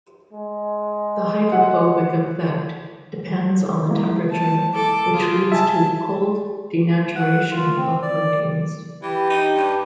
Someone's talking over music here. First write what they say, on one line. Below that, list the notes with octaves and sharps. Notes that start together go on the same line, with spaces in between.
The hydrophobic effect depends on the temperature, which leads to "cold denaturation" of proteins.
G#3
F#5
G#3 A#3 E4
A5
A4 D6
F4 G#4
E5 G#5 A5
F#5
F4
C4
D5
E3 G4
D#4
G2